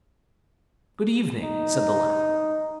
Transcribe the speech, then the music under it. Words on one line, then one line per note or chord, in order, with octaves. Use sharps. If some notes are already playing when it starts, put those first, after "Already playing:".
'Good evening!' said the lad.
D#4